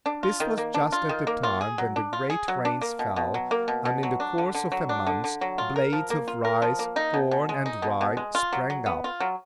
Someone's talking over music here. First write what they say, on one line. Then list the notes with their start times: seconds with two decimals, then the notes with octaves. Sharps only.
This was just at the time when the great rains fell, and in the course of a month, blades of rice, corn, and rye, sprang up.
0.06 D4
0.23 F4
0.40 D#3
0.58 A#3
0.74 D4
0.92 F4
1.09 D#3
1.27 A#3
1.43 F4
1.61 G#4
1.78 F#3
1.96 D4
2.13 F4
2.30 G#4
2.48 F#3
2.65 D4
2.81 A#3
2.99 B2
3.16 B2
3.34 F#3
3.51 A#3
3.68 B2
3.85 B2
4.03 F#3
4.20 D4
4.38 D3
4.55 D3
4.72 F#3
4.89 D4
5.07 D3
5.24 D3
5.41 F#3
5.58 F4
5.76 A#4
5.93 F3
6.10 A#3
6.28 F4
6.45 A#4
6.62 F3
6.79 A#3
6.96 D#4
7.14 B2
7.31 B2
7.49 G#3
7.66 D#4
7.82 B2
8.01 B2
8.17 G#3
8.35 F4
8.53 F#3
8.70 F#3
8.86 B3
9.04 F4
9.20 F#3